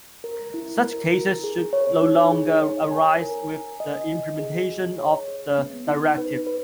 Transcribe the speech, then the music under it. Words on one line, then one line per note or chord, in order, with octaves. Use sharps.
Such cases should no longer arise with the implementation of the directive.
A#4
E4
A#4
A#4
G#4
C#5
D#4
G#4
C#5
G#5
A#4
G#5
D#5
D#5
G#4
G#4
C#5
G#4
B3
D#4
B4
B4